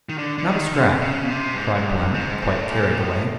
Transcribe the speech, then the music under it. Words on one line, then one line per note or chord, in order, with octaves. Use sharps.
"Not a scrap," cried Blount, quite carried away.
D#3
D3
D3
D#3
D3
C3
C#3
B2
C3
G2
G#2
G#2
G2
G#2
A2
A#2
A2